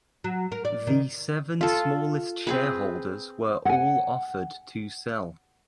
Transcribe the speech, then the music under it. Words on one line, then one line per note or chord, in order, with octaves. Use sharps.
The seven smallest shareholders were all offered to sell.
F#3
A#4
D5
D#3
F4 A4
C4 G#4 B4
F#5 G#5